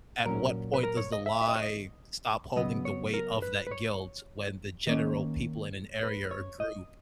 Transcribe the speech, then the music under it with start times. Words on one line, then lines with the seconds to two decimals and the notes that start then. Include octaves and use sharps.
at what point does the lie stop holding the weight of that guilt when the general people in an area or group,
0.25 A#2 F#3 C#4 A#4
0.74 B4
0.83 A#4
0.97 C#5
1.12 D#5
1.26 E5
1.41 E5
1.49 D#5
1.56 C#5
1.62 D#5
2.56 C#3 F#3 B3 D#5
2.85 C#5
3.14 A#4
3.42 B4
3.67 B4
3.71 C#5
4.87 D#3 A#3 C#4
6.03 B4
6.31 C#5
6.60 D#5